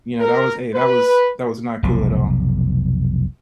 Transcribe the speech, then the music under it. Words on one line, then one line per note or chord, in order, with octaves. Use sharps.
you know, that was a that was that was not cool at all.
A#4
B4
F1 B1 A2